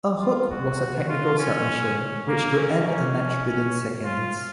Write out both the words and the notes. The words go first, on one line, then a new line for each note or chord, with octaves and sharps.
A "hook" was a technical submission which could end a match within seconds.
F4
F#4
F4
C#4
A#3
C#4
C#4
C#4
F4